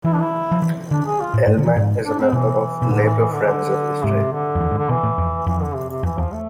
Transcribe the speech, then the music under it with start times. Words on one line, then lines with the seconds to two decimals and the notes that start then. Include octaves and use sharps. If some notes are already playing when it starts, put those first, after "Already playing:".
Ellman is a member of Labour Friends of Israel.
0.05 E3 E4
0.12 D4
0.20 E4
0.52 F3
0.62 E3
0.91 D3 D4
1.05 G#4
1.20 F4
1.34 A2
1.47 G#2
1.58 D3
1.66 E3
1.76 G#2
2.04 D4
2.19 C4
2.33 B2 E3
2.82 B2
2.90 A2 D3
3.05 E3
3.19 E3
3.32 D3
3.42 E3
3.47 D3
4.04 G#2 C3
4.32 D3
4.55 F2
4.61 E2
4.71 G#2
4.78 D3
4.89 B2 E3
5.03 A2
5.18 F2
5.47 F2 E3
5.61 D3
5.75 C3
5.90 C3
6.03 F2 E3
6.18 E2 F3
6.32 A3